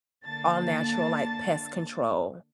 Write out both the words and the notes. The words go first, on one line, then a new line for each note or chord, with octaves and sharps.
all-natural, like, pest control
D3 A#3 A5 A6